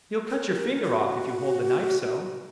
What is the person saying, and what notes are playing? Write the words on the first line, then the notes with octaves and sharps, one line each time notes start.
"You'll cut your finger off, if you hold the knife so!"
A#4
F#4